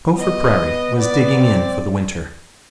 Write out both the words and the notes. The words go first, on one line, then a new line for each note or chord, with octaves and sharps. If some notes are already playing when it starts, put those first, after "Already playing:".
GOPHER PRAIRIE was digging in for the winter.
B3 D#5
D5
C4